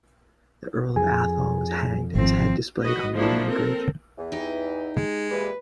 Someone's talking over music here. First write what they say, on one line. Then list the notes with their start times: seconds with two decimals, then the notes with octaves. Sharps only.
The Earl of Atholl was hanged and his head displayed on London Bridge.
0.96 F2 G#4 G#5
2.15 G#1 F3 C4
2.81 F#4 B4 D#5
3.14 F3 G#3 A#3 D4 E4 F#4
3.47 C4 A4 A#4
4.18 E2 E3
4.32 D#4 G4
4.96 G#3
5.31 A#2 E3 G3 B4